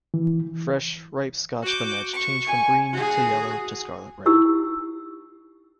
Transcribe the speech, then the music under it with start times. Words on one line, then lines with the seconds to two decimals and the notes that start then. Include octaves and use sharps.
Fresh, ripe scotch bonnets change from green to yellow to scarlet red.
0.14 E3
1.63 F#4 D6 G6
2.12 C#6
2.47 G#5
2.93 F#4 G#4
4.26 D#4 E4 G4 E6